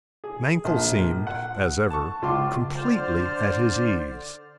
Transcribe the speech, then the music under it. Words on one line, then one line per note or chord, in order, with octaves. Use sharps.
Mankell seemed, as ever, completely at his ease.
G#4
A#1 F3
F#5
A5 C#6
C#2 F4 C6 D6
D3 C5 D5 F6